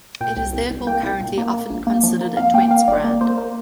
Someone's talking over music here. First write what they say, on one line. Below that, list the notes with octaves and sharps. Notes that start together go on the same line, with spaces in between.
It is therefore currently often considered a Twents brand.
A#2 G5
C2
C2
C2
A#3 G5
C2
A#2
A#3
A#3
A#1
A#3
F3
A#3
F2 F5
A#3 G5
A#3 F5
G1 D5
A#3
A#3 C5
A#3